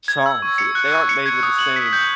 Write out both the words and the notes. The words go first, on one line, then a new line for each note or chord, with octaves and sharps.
charm to it. They aren't made with the same
G#6
E6
C#6
C#7
F#6
C#6
C#7
G#6
D#6
F#7
B6
G6